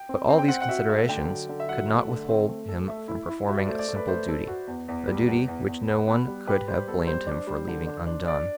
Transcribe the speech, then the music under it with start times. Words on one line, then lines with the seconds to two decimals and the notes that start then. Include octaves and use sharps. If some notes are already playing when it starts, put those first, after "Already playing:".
But all these considerations could not withhold him from performing a simple duty--a duty which no one could have blamed him for leaving undone.
Already playing: G5
0.09 C4
0.29 C4
0.38 G5
0.48 C4 F#5
0.62 F#5
0.69 F#4 E5
0.89 A3 E5
1.09 D3 G5
1.29 F#3
1.49 D3
1.60 E5
1.68 F#3 F#5
1.88 A3
2.08 D3
2.28 C4
2.49 A3
2.69 A4
2.88 A3 E5
3.08 E4
3.28 E4
3.48 F#4 E5
3.58 D5
3.68 A3 C5
3.79 D5
3.88 A3
3.96 B4
4.08 A3 C5
4.28 A4
4.47 F#4
4.67 E2
4.88 E2
5.07 G3
5.28 E2
5.48 E2
5.68 E2
5.87 B3
6.08 B3
6.28 G3
6.47 G4 B4
6.68 G3 C5
6.88 B3 A4
7.07 G3 C5
7.27 D4
7.47 G3
7.68 D3
7.87 D4
8.07 D4
8.27 D4 D5